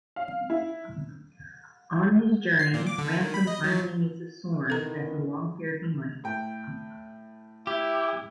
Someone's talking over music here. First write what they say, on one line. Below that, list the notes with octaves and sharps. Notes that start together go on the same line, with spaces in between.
On his journey, Ransom finally meets a "sorn," as he long feared he might.
F5
E4
C7
A#2
D6
D3
D#3
B5
D#5
F#3
D#3 E3 B3 A4 A#5
A2 G5
E4 G4